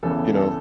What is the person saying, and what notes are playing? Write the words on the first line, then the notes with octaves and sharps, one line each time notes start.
you know,
E2 C#3 E3 A4
A4